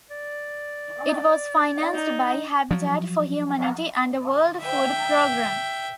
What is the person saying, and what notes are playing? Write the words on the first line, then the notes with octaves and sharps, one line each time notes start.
It was financed by Habitat for Humanity and the World Food Program.
D5
D#4
F3 F#3
E5 G5